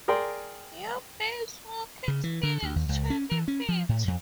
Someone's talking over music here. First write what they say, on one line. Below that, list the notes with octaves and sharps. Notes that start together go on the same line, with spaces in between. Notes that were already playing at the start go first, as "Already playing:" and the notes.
Your base walking speed is twenty feet.
G#4 A#4 D5 G5 C6
C#3
E3
D3
D2
D#2
C#2
C#4
E3
C#4
F3
A2
F2